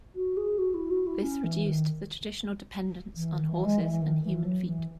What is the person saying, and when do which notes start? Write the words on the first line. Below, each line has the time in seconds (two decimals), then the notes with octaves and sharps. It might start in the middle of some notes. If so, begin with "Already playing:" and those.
This reduced the traditional dependence on horses and human feet.
0.15 F#4
0.36 G#4
0.58 F#4
0.74 E4
0.90 F#4
1.06 E4
1.22 C#4
1.44 E3
1.65 D#3
3.16 E3
3.31 D#3
3.48 E3
3.64 G#3
3.80 E3
4.01 D#3
4.23 E3
4.44 F#3
4.66 E3